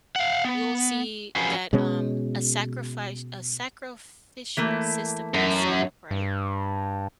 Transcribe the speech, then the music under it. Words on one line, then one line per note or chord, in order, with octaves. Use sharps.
you'll see that, um, a sacrifice a sacrificial system got set up, right?
F5 F#5
B3
F3 C#4 F#4 G#4 A#4 B4
B2 G#3 C#4
E3 A3 A#3
F#2
G2